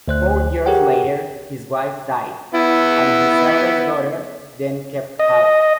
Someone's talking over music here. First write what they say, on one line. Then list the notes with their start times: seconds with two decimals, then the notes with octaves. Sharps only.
Four years later, his wife died, and his eldest daughter then kept house.
0.08 D2 C5 F#6
0.66 G4 G#4 A#4 C#5 F#5 G5
2.55 B3 E4
5.19 D#5